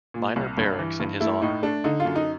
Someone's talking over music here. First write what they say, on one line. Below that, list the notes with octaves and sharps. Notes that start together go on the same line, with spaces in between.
Miner Barracks in his honour.
A#2
C2
G2
E3
G2
A3 E4
A2 D#4
A3 D4
D3 D#4
F4
F#2
D#4